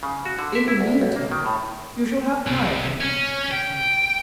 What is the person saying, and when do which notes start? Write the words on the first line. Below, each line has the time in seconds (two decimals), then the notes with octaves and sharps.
"In the meantime, you shall have my opinion," he said.
0.03 C#3
0.25 F#4
0.39 D3
0.55 E5
0.68 E4
0.81 D2
1.01 B1
1.16 A#3
1.31 D#3
1.46 A2
2.47 C2
3.01 C#4
3.51 G5